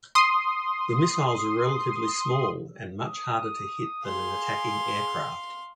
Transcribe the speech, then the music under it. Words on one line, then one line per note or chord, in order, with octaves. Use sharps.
The missiles were relatively small and much harder to hit than an attacking aircraft.
C6 D#6
D#6
G#4 F5 C6